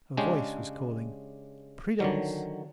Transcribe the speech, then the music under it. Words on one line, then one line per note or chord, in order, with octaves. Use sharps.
A voice was calling, "Prudence!"
C#3 G#3 C#4 D4 G4
D3 D#3 F#3